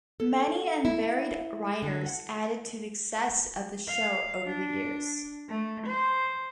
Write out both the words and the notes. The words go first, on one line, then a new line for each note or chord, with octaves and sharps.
Many and varied writers added to the success of the show over the years.
A4
E4
D3
F#5
F5
D4
A3
C5